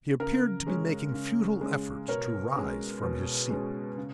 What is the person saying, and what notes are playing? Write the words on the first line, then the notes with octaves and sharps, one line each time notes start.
He appeared to be making futile efforts to rise from his seat.
C#3 A#4
G#3 C#4
C#3
G#3 C#4
B2 A#4 C#5
G#3 C#4
B2
G#3 C#4
C#3